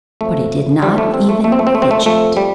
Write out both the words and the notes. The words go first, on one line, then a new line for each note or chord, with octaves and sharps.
But he did not even fidget.
F2 F3 A3
F2 F3 G3
A3
C4
A3
F2 F3 A3
C4
A3
C4
A3
C4
A3
F2 F3 A3
G3